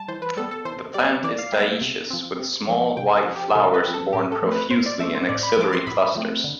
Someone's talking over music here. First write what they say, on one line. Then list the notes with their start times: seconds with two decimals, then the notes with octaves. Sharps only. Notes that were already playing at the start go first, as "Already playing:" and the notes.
The plant is dioecious, with small white flowers borne profusely in axillary clusters.
Already playing: G3 A5
0.08 E3 C5
0.22 B4
0.37 G3 B3 A4
0.51 A4
0.65 E3 C5
0.94 G3 B3 D5
1.23 E3 D5
1.38 F5
1.52 G3 B3 E5
1.81 C3
2.10 F3 C4
2.39 C3
2.68 F3 C4
2.97 C3 G5
3.17 A4
3.27 F3 C4
3.36 G4
3.55 C3 A4
3.74 B4
3.84 F3 C4
3.94 A4
4.13 A2 G4
4.32 A4
4.42 F3 A3 C4
4.52 B4
4.71 A2 C5
4.86 D5
4.99 F3 A3 C4 E5
5.15 C5
5.29 A2 D5
5.43 B5
5.57 F3 A3 C4 D6
5.73 C6
5.87 A2 B5
6.15 F3 A3 C4
6.44 D3